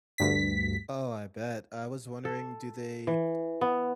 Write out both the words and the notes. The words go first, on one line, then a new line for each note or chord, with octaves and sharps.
Oh, I bet, I was wondering, do they,
D2 G2 B6
A4
E3
B3